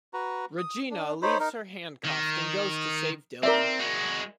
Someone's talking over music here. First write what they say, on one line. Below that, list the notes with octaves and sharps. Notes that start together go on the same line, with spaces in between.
Regina leaves her handcuffed and goes to save Dylan.
F#4 B4 A#5
D#6
D4
D#4 C5 C#5 B5
D#4 A#4
D#3
C4 A#4 D5 E5
G#3 F#4